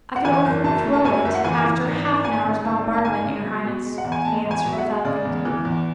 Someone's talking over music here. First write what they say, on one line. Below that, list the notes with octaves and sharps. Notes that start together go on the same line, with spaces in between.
"I could overthrow it after half an hour's bombardment, your highness," he answered, without thinking.
F#5
E3 G#5
F#1
F#2 A5
A3
A5
F#2 G#5
F#1 E5
F#5
E3 G#5
E3
G#1
G#1
G#1 G#5
C#3
G#1 A5
G#1
A5
G#1 G#5
C#3
B2
B2
G#3
F#5
E2
G#5
G#3 A5
E2
G#5
B2
E5
F#5
G#3
C#3 D5
E2
E3
E2